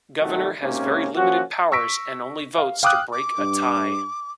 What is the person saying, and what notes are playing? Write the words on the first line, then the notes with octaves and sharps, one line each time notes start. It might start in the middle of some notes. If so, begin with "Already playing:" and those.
Governor has very limited powers and only votes to break a tie.
B1 F2 D#3 G3 A3 F#4
G#2 C3 A#3 C#4
F3 A#3 C#4 F#4
C#6 E6 A#6 B6 D7
F5
F5 G5 D6 D#6 F6 F#6
D6
G2